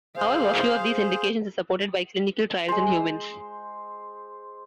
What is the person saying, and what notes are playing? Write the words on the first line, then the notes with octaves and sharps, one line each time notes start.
However, few of these indications are supported by clinical trials in humans.
G#4 C5 F5
G#3 C5